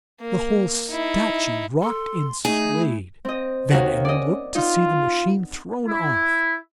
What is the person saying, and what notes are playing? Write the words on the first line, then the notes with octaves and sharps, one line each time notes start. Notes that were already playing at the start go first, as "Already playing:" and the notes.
The whole statue rocked and swayed; Van Emmon looked to see the machine thrown off.
A#3
D#4 E4
A4 C6
A3 D#4 G#4
E4
C4 D#5
D#2 F#4 A#4 F#5
C#4 D5 D#5
D#4 F4
E4